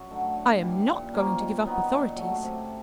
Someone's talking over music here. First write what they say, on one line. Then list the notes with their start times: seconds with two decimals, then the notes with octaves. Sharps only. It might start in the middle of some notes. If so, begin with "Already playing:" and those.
I am not going to give up authorities.
Already playing: F#2
0.11 D3 F#3 A3
0.36 A2
0.63 E3 G3
0.88 A#2
1.14 F3 A#3 C#4
1.40 D#3
1.65 F#3 B3 D#4
1.91 A#2
2.17 F#3 A3 C#4
2.43 C3